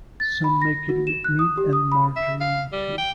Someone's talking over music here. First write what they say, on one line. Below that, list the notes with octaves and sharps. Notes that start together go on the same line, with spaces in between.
Some make it with meat and margarine too.
A6
B5
A#6
F#4
E7
F#6
D#6
G4
D#6
B5
E5
F5
G3
G5